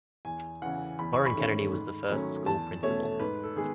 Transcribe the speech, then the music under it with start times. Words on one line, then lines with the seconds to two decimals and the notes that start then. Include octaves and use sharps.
Warren Kennedy was the first school principal.
0.25 E2 G#5
0.62 C#3 E3 F#5
0.99 E2 B5
1.13 C#6
1.26 B5
1.35 D#3 A3 C#4
1.73 G#2
2.09 D#3 F#3 A3 C#4
2.46 E2 A5
2.83 B2 A3 C#4 C#5
3.20 G#2 B4
3.43 A4
3.56 D#3 G#3 B3 G#4